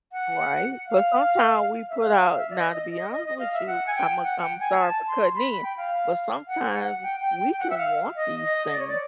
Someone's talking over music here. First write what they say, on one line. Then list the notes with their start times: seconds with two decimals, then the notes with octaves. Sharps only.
Right, but sometimes we put out now to be honest with you, I'm a I'm sorry for cutting in, but sometimes we can want these things,
0.12 F#5
0.87 F5
1.89 E5
1.98 F5
2.18 F5
2.37 E5
2.50 D5
2.55 D#5
2.73 D#5
2.92 D#5
3.11 D#5
3.25 D#5
3.39 F5
3.53 E5
3.67 F#5
3.87 G#5
3.95 G5
4.23 F#5
4.42 G5
4.60 G#5
4.79 A5
5.07 C6
5.35 B5
5.49 B5
5.63 G5
5.77 F5
6.48 F#5
6.76 F#5
7.03 G5
7.22 G5
7.40 G5
7.53 G5
7.59 F#5
7.70 E5
7.78 F5
8.16 D#5
8.44 D#5
8.72 D5
8.79 C#5
8.87 D5